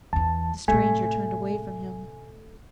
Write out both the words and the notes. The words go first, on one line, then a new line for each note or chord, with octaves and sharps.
The stranger turned away from him.
E2 E3 A5
A2 C3 A3 G#5